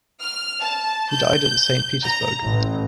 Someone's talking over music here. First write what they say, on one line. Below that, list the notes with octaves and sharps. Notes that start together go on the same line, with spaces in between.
He died at Saint Petersburg.
F6
A5
G6
A#5
A1